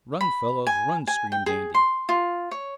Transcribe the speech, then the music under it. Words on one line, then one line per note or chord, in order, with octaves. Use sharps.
"Run fellows, run!" screamed Andy.
B5
G#5
G#5
G5
G#4
C6
F4
C#5